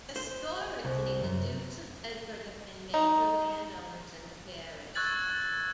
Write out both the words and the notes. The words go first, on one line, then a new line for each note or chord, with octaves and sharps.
Historically, the Dukes of Bedford have been major land owners in the parish.
C5
C2
F#2
D#4
C#6 E6 F#6 G#6 A6 F#7